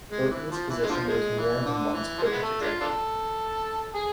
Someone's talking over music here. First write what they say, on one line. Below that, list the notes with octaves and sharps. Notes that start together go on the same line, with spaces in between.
Bertin's position was more than once put into jeopardy.
G#3
E3
F3
E3
G#3
D3 F3
F3 G#3
E3
D3
E3
F3
G#3
B3
A3
G#3 D4 F4
D4 F4 A4
G#4